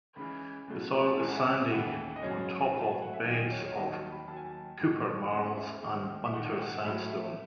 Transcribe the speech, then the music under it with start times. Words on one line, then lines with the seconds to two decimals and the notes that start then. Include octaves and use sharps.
The soil is sandy on top of beds of Keuper Marls and Bunter Sandstone.
0.16 C#2 C#3 E3 B5
0.68 C#2 B2 F#3 A3
0.95 B5
1.07 A5
1.19 C#2 C#3 E3 G#3 G#5
1.28 F#5
1.36 E5
1.53 E5
1.71 D#2 C#3 E3 A3 F#5
2.16 D#5
2.22 F#2 C#3 F#3 C#5
2.74 A2 F#3 A3 A5
2.90 G#5
3.02 F#5
3.14 E5
3.25 E2 D#3 F#3 D#5
3.51 C#5
3.65 C#5
3.76 D#2 D#3 F#3 D#5
3.93 A5
4.11 B5
4.28 D#2 D#3 F#3 A5
4.37 G#5
4.46 A5
4.80 G#2 D#3 F#3 A3
5.30 E2 C#3 E3 A3 F#5
5.56 E5
5.82 D#2 D#3 A3
6.25 E5
6.33 G#2 D#3 A3 F#5
6.59 F#5
6.85 A2 F#3 A3 E5
7.10 E5